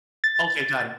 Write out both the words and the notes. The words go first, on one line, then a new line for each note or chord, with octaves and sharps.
Okay, got it.
A6